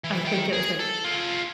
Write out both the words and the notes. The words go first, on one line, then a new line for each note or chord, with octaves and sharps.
I think it was, like
E3
D#3 G5
G#4
A4
F4 G#4